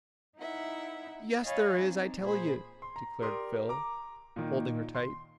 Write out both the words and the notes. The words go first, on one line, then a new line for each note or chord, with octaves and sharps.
"Yes, there is, I tell you," declared Phil, holding her tight.
D#4 E4 E5 F#5
C#5 D#5 F5 G#5 B5 A6
C4 D4 D#4
A#2 G#4 C5 B5
C6
A#5
G4 A#4 D5 C6 D#6
A#5 D6
A#2 D#3 D#4
C6